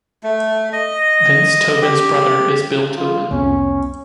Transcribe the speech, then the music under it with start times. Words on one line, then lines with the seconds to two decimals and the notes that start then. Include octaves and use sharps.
Vince Tobin's brother is Bill Tobin.
0.23 A3
0.73 D#5
1.81 G4
2.96 F4
3.31 C2 F2 B3 C#4